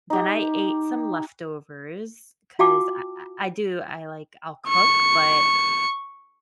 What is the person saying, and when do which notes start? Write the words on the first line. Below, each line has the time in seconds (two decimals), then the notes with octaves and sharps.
then I ate some leftovers 'cause I I I do I, like I'll cook, but
0.10 D#4 G4
2.59 F4 F#4 F5 G5 A5 D6
4.68 C#6 C#7